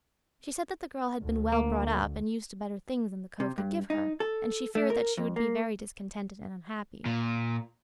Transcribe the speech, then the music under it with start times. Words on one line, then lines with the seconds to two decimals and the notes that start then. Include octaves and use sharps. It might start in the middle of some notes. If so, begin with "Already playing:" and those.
She said that the girl had been well brought up and used to better things than the Cove could give her, and she feared that she would be very discontented and unhappy.
1.21 D2
1.52 A#3
3.40 C3
3.58 G2
3.90 D#4
4.20 A4
4.75 A3
4.90 A#4
5.17 F2
5.36 A#3
7.06 A#2